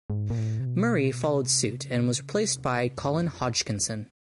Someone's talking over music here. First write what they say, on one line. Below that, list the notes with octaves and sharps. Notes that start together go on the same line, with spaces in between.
Murray followed suit, and was replaced by Colin Hodgkinson.
G#2
A#2
A2
C3
B2
C3
C#3
B2
C3
G2
F2